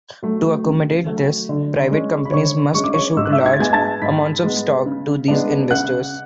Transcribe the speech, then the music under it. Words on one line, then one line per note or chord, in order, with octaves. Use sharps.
To accommodate this, private companies must issue large amounts of stock to these investors.
F#3 A3
C#3
F#3 A3
D3
G#3 C#4
B5
D3 C#5 C#6
G#3 C#4 C#6
D6
C#5 C#6
G#2 E6
F#6
E5 E6
G#6
A6
G#3 B3 G#5 G#6
A5 A6
G#2 B5 B6
G#3 B3
C#3
G#3 B3 D4
C#3 F#5 F#6